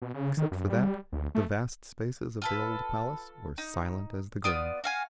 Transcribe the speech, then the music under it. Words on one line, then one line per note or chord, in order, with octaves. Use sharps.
Except for that the vast spaces of the old Palace were silent as the grave.
B2
C#3
D#3
F#2
G3
D2
A3
F4 A4 B4
D#4
B3 F4 D5 D#6
F#4 F5 G#5